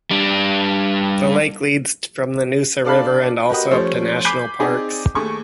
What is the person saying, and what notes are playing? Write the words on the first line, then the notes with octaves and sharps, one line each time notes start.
The lake leads from the Noosa River and also up to national parks.
G3 D4
D4 A4 D5 F5 A5 B5
F#4 G4 A#4 B4 D#5
F3 G3 A3 C#4 C5 C#5
G#5 B5 D6 G6 B6 C7
C4 D#4 G#4 D5
D#2 A3 G#4 C#6